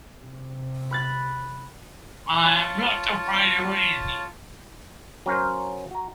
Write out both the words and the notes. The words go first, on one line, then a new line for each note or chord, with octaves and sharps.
I'm not afraid of anything.
C3
B5 F#6 A6
F4 C#5 A5
F#3 C#4 A#4 C5
F#4 A#5